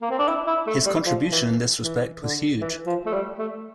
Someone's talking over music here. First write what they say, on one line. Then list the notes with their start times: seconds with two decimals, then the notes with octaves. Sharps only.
His contribution in this respect was huge.
0.02 A#3
0.10 C4
0.19 D4
0.28 E4
0.47 E4
0.67 A3
0.86 G3
1.06 F3
1.32 E3
1.83 E3
2.22 D3
2.61 E3
2.86 F3
3.06 A3
3.13 G3
3.39 A3